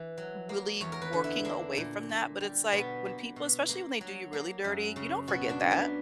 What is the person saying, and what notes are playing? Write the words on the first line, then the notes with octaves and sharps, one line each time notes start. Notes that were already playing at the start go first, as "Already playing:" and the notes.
really working away from that, but it's like, when people especially when they do you really dirty, you don't forget that.
Already playing: E3
F#3
A#3
E2 C#5
A#4
B4
D3
E4
A#3 D4
A#2
A#2
G3
B2 B3
A#3
B2
A#3
F#3
A#3
F#2
C#3
B2 F#4
D4
A#3
B3